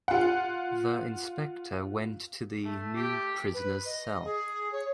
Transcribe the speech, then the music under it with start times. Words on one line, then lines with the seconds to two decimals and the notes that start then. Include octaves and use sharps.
The inspector went to the new prisoner's cell.
0.08 F4 F#5
2.64 A3
2.96 G4
3.54 B4
3.85 D#5
4.24 G#4
4.72 C#5